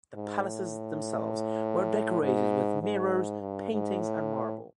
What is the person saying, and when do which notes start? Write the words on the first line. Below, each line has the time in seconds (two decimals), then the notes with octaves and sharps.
The palaces themselves were decorated with mirrors, paintings and marble.
0.15 G#2
0.45 A2
2.22 G#2
2.82 G#2
3.41 G2
3.71 G#2
4.01 A2